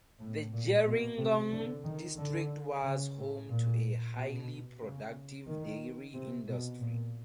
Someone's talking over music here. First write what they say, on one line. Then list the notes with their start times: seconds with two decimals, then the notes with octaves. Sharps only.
The Gerringong district was home to a highly productive dairy industry.
0.19 A2
0.52 A#2
0.85 B2
1.18 C3
1.52 D3
1.85 D#3
2.17 D3
2.83 C#3
3.17 A2
3.49 A#2
4.15 B2
4.82 C#3
5.47 D#3
6.13 C3
6.47 B2
6.79 A#2